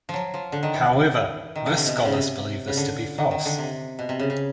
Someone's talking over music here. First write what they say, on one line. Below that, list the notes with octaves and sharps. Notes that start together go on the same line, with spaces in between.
However, most scholars believe this to be false.
F3 F#3
F3
D3
D#3
E3
D#3
D3
C3
B2
C3
C#3
C3
C#3
D3
D#3
D#3
D3
C3
B2
C3
C#3
C#3